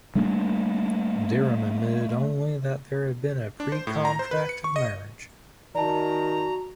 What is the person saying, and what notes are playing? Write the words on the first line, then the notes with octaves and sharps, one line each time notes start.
Dereham admitted only that there had been a pre-contract of marriage.
G3 A3 A#3 D4
D4
C5
A2
A#5
C5
B4
C#7
C#6
D#5
D#3 F#4 D5 A5 A#5